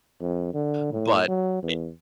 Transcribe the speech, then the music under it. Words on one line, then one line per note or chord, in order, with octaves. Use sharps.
but i
F2
D3
A2
F#3
E2